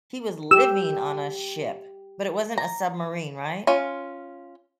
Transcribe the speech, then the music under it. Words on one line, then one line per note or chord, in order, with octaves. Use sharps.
he was living on a ship, but it wasn't a submarine, right?
G4 E6
A#5
C#4 F4